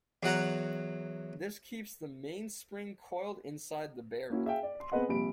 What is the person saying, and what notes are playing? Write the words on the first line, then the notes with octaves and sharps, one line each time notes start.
This keeps the mainspring coiled inside the barrel.
E2 F#3 F#5 A#5
A#3 C#4 E4 F#4
G#4 E5 F5 G5
D5
C6
B3 C4 G#4 B4 D#5 F#5
A#1 C3 G3 B5 D7